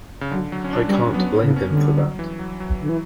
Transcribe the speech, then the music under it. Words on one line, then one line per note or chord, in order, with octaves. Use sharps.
I can't blame him for that.
C#3
D3 F#3
F#3
C#4
D4
G3
C#4
F#3 B3
A#3
C#3
C#4
D3
G3
F#3
E3
F#3
F#3
D3
E3